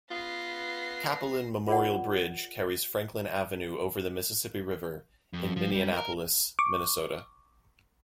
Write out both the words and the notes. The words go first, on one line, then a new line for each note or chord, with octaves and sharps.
Cappelen Memorial Bridge, carries Franklin Avenue over the Mississippi River in Minneapolis, Minnesota.
B3 F4 A#6 C7
F4 G#4 A#4 C#5 D5 F#5
F2
F3
G3
A#4 A#5
C#6 D6